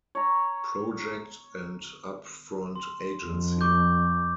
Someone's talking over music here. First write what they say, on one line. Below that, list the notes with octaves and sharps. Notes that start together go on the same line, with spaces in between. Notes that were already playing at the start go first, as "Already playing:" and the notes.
Project and Up-Front Agency.
C#5 A#5
C6
F2
C#6 D6 G6